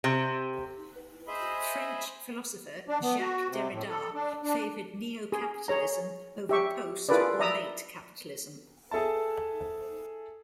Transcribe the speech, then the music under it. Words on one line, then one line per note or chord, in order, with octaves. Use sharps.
French philosopher Jacques Derrida favoured "neo-capitalism" over "post-" or "late-capitalism".
C3
G#4 C5 D#5 E5 B5
D4
B3
F#4
C3
A2
A4
D4
D4
G#4
G#4 C#5 A#5
G4 E5 C#6
E4 F4 G#4 A#4 B4 D5
D5 E5 A#5 D#6 E6
G#4 A4 E5 A5